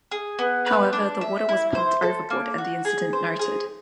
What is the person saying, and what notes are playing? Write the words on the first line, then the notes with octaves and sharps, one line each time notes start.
However, the water was pumped overboard and the incident noted.
G#4
B3
B4
D4
E5
E4
C5
A4
A#3
F#4
G#4
C5
G#4